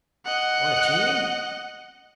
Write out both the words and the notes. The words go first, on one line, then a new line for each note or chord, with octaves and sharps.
'Or a team?'
D#5 F#5